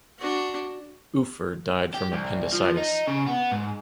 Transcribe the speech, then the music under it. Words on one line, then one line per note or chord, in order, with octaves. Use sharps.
Ufer died from appendicitis.
D4 F#4
G4
C2
F3
D#4
C#3
B3
G#2